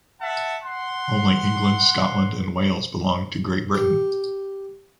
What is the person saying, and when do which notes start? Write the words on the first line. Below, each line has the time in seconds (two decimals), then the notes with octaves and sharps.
Only England, Scotland and Wales belong to Great Britain.
0.22 E5 F#5 A5
0.64 F#5 C6
3.75 G4